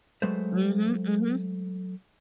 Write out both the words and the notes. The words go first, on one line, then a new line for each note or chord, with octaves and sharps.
Mhm, mhm.
F#3 G#3 A3 B4 C5